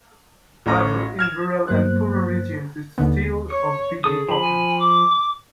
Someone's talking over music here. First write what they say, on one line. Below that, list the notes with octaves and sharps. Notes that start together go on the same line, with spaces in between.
However, in rural and poorer regions it's still of big importance.
A1 A3 C#4 A#5 A#6
F6 G#6 E7
G2 F#3 A#3 B3 C5 F#6
D#2 D3 B3
C#5 C#6
C#3 G#4 A4 D#6
F3 B5
G#5
D6